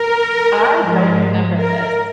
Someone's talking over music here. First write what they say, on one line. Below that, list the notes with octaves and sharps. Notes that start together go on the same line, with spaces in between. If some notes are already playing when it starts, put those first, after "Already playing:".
I don't remember this
Already playing: A#4
G#2 F3 G#3
A#4